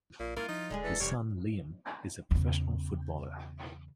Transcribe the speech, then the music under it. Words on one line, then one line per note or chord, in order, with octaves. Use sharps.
His son, Liam, is a professional footballer.
A#1 A#2
A#3 E4 F4
F3 D#4
D#1 D3 G#3 G#4
E3 A4
F2 C3 E3 G3 C#5
E2 C#3